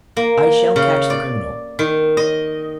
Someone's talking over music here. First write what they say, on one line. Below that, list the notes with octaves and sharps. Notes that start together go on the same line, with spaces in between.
I shall catch the criminal.
A#3
C#3
D5
D#3
D#5